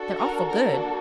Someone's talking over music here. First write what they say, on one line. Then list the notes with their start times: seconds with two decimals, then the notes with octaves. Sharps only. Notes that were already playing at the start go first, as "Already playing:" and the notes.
"They're awful good."
Already playing: D4 F#4 A4
0.18 A#4
0.50 A#3 D4 F#4 A4 A#4